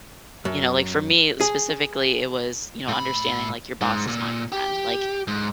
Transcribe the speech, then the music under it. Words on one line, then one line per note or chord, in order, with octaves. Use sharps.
you know, like, for me, specifically, it was, you know, understanding, like, your boss is not your friend, like
F#2
G#4
A2 B5
G#2
A#2
G4
G#2